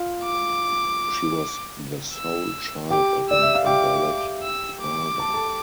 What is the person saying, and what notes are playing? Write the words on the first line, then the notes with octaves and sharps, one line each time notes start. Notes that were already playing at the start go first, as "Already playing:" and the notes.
She was the sole child of an invalid father.
Already playing: F4 F5
D6
E6
G4 G5 D6
D5 E6
E5
F5
G4 G5 D6
E6
D6
A5
A4 A5